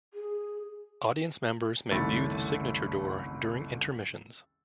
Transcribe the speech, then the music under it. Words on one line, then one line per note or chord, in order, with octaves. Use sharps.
Audience members may view the signature door during intermissions.
G#4
F#1 C2 D#3 A3 E4 A6